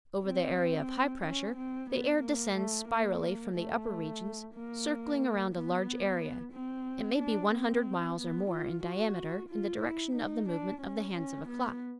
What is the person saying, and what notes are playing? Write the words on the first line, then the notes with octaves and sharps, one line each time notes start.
Over the area of high pressure the air descends spirally from the upper regions, circling around a large area--it may be one hundred miles or more in diameter--in the direction of the movement of the hands of a clock.
C4
C#4
C4
B3
A#3
A3
A#3
A3
A#3
B3
C4
D4
C4
B3
F4
F#4
F4
E4
D#4
D4
C#4
C#4
B3